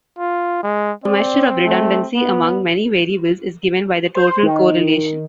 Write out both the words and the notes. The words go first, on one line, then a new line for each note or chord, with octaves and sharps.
A measure of redundancy among many variables is given by the total correlation.
F4
G#3
C4 D5
A3
B3
C5
D#3